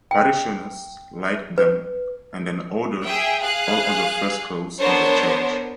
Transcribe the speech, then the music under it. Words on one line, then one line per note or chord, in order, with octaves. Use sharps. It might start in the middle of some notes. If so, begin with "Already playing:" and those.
Parishioners liked them and then ordered all other frescoes in the church.
G5
B4
G#4 E5 G5
G#4 F5 F#6
B3 D4 A#4 C5 C#5